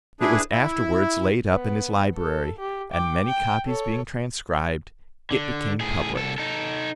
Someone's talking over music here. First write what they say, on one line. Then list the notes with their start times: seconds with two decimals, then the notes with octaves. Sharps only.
It was afterwards laid up in his library, and many copies being transcribed, it became public.
0.21 D4 E4 G#4 B4
0.51 E4
1.52 B3
2.15 A4
2.59 G4
2.93 G5 D6
3.25 G5
3.66 A4 C#5
5.31 D3
5.81 A2 G#4
6.15 C2 A4
6.38 D#4 A4